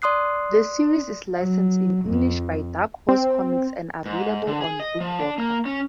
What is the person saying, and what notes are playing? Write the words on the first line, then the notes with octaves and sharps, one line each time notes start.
The series is licensed in English by Dark Horse Comics and available on BookWalker.
D5 C6 D#6 F#6 C7
F#3
F2
C4
G#2
D3
G#4
D#5
F3
D4
A#3
C#4